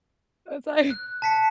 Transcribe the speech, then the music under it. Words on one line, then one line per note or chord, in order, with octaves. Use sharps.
It's like,
F#6
A5 B6 C#7